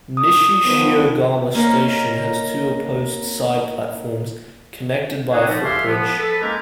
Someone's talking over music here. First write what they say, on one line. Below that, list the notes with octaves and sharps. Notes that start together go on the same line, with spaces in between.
Nishi-Shiogama Station has two opposed side platforms connected by a footbridge.
D#6
D#3 F3 B3
A#3 C#4 D#4
A#3 C4 D#4 F#4 G#4
B2 D3 F3 A3 B3 F#4
G4 A4 E5 F5 G#5 C6
F3 B3
A4 B4
G#3 A#3 C#4 E4 G4 A#4